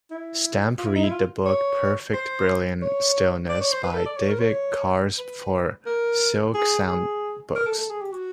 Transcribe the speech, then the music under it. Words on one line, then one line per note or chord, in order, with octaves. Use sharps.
Stamp read the book "Perfect Brilliant Stillness" by David Carse for SilkSoundBooks.
E4
F4
E4
D#4
E4
F4
C#5
C5
C#5
D5
C#5
C5
B4
A4
D5
C#5
A#4
C#5
C#5
B4
A#4
G#4
G#4
A#4
A4
A4
G#4
G4
F#4